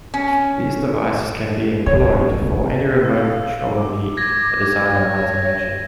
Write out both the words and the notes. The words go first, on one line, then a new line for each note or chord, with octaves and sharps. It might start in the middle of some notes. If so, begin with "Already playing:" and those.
These devices can be employed for any remote control need a designer might imagine.
C#4
C#5
F5 E6
D6
G#6 A#6
C#5